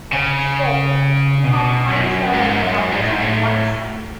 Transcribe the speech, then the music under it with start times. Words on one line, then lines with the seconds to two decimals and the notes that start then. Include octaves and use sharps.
At his death he had five surviving daughters and one son.
0.12 C#3
1.45 B2
1.89 F#2
2.33 G#2
2.62 F#2
2.92 G#2
3.02 A2
3.11 G#2
3.22 A2